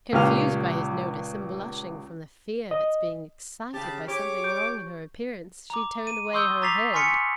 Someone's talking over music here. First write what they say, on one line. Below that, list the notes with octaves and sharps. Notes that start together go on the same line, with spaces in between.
Confused by his notice, and blushing from the fear of its being excited by something wrong in her appearance, she turned away her head.
C#2 A#2 C#4 G4 F5 F6
D#5
C#3 G4 A5
G4 G#4 C#5 D6
C#6 G6
A#5 D6
D#7
C6 C#6 D#6 E6 G6 G7
A#5 D6 A6 B6 C7 F7
G#5 C6 C#6 F6 B6 C#7